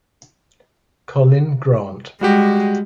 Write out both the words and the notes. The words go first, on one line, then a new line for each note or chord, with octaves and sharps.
Colin Grant.
G3 G#3 F#4 G4